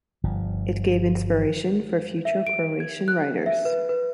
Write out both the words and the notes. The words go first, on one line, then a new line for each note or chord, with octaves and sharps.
It gave inspiration for future Croatian writers.
G1 F3
E5
D7
G#6
F#6
E5
B4
B4